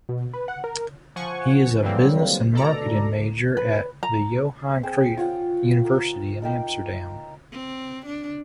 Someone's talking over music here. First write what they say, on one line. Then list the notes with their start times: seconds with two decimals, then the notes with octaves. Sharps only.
He is a Business and Marketing major at the Johan Cruyff University in Amsterdam.
0.09 B2
0.33 B4
0.48 F#5
0.64 A#4
1.16 F3 F#5 G#5 C#6
1.82 D3 E3 F#3 G3 A#3 C4
2.53 D2 B2 A4 D5 A#5
3.57 B4
4.03 A#5
4.83 C4 G#4 C5 G5
5.17 F4 C#5 F#5 G5
5.85 A#4
6.42 D#4 A#4 G5 D6
7.51 C4
8.06 D4